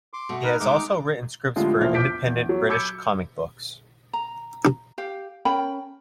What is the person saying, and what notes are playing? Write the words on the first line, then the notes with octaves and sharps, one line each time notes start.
He has also written scripts for Independent British comic books.
C6 D6
B2 A3
D#4 A#4 B4
G#3 A3 D#4 D6
A2 D3 F3 G#3 F4 G4
E1 A#1 F3 E4 C5 F6
D6 G6 B6 D7
E2
F#3
B5 D6 E6 G6 G#6 C#7
A#5
G4 F5
C#4 A#4 G5 B5